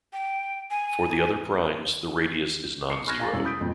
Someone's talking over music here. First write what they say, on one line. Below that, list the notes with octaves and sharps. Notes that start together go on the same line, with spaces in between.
For the other primes the radius is non-zero.
G5
G#5
C#6 C7 C#7
B5 C#6 F6 F#6 G#6 A#6
F5 G#5 A#5 C#6 A6 A#6
E1 G2 C#4 E4 E6
B5 D#6 G6 B6 D7
F2 G#2 B2